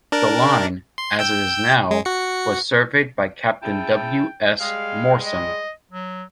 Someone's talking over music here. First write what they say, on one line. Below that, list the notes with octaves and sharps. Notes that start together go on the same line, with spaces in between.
The line, as it is now, was surveyed by Captain W S Moorsom.
D4 A#4 D5
C6
G5 E6 G6
G#3
F#4 C#7
C#3 E4 G5 A5
G3 G#3 F5
D#5
F#3